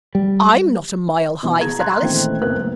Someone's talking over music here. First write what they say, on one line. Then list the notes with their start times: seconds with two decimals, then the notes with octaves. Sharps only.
'I'M not a mile high,' said Alice.
0.15 G3
1.43 B2 E3
1.60 G#4 A#5 G#6
1.79 A#5 C6 F#6 G#6
2.01 A#2 D#3 E3 A3 C4 C#4
2.41 F#1 B1 C4 A#4 B4 F#6
2.57 F#1